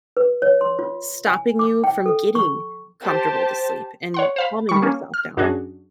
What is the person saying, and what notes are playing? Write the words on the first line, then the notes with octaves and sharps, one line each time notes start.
stopping you from getting comfortable to sleep and calming yourself down.
B4
C#5
C6
F4
G#5
D6
G5
A4
C#6
G4 C5 A5
C#5 F#5 C6
C5 F5 B5
G3 C#6
A#3 C#4
F6
F#2 D4 F#4 G#4